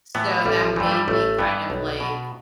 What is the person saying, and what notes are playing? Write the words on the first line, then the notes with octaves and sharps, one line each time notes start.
So, that made me, kind of, like,
A2 E3 B3
A1 G3
F3
G2 E3 F3
A3
G3
A1 A3
G2 E3 B3
B1
B2